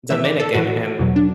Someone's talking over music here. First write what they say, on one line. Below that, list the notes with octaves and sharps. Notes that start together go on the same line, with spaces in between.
Dominican and
A2 E3 E5
D5
A4
A2 E3 F#4
E2 B2 F#3
D4